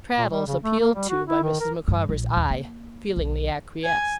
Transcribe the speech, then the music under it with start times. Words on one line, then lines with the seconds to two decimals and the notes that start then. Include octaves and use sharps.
Traddles, appealed to by Mrs. Micawber's eye, feelingly acquiesced.
0.18 A#2
0.31 G3
0.48 C#3
0.63 A3
0.80 A#3
0.94 G3
1.09 F#4
1.27 E4
1.43 D#3
1.60 A#4
1.88 G2 A#2
2.09 A#1
2.37 D#2
2.51 A#3
3.17 B1
3.84 G#5